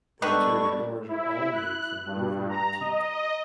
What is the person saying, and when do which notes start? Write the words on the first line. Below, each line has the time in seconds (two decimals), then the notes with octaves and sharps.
The interior doors are all made from louvered teak.
0.22 D3 D#3 G3 B3 D4 A4 B4 C#6
1.08 E4
1.53 F#6
2.06 G2
2.49 A#5
2.81 D#5
3.10 D#5